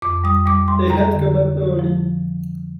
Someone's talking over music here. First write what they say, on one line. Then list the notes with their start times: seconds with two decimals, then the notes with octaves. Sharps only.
They had come up early.
0.02 F2 D6
0.24 G3 D#6
0.46 G3 D6
0.68 G3 C6
0.90 G3 A#5
1.12 D3
1.35 D3
1.57 D3
1.79 F3